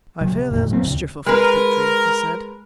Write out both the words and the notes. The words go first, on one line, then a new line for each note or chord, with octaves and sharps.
"I fear there's mischief afoot, Petrie," he said.
C3 F#3
C3
F2 A#2 D#3
A2 F#3 C4
D#2 C#3
G#3 A#4 B4